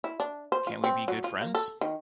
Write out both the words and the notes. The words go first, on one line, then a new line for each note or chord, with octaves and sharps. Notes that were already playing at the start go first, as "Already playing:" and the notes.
Can’t we be good friends?
E4
D4
C5
F4
C4
F#3
F4
A#3
A4
D#3